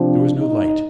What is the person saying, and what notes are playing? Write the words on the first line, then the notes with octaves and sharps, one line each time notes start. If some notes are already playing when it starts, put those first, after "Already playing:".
There was no light.
Already playing: C3 F3 D4
D#4